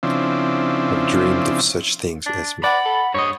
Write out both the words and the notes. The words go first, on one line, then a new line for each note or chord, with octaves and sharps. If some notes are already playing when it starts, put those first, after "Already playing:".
I’ve dreamed of such things, Esme.
C#3 F3 C4 D4 E4
D4
D5 F#5 B5
A4
G2 C#5 D#5